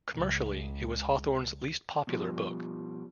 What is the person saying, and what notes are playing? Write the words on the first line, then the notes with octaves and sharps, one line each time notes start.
Commercially, it was Hawthorne's least popular book.
C#2 C#3
B2 F3 G3